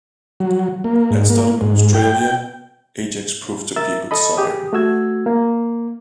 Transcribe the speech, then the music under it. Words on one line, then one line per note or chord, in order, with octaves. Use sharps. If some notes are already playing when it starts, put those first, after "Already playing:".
At stud in Australia, Ajax proved to be a good sire.
F#3
A#3
G#2
A#3
G#2
G5
A#4 E5 E6 A6
A4 D#5 B5
G4 G#4 D#6
A3 F#4 E6 G#6
A#3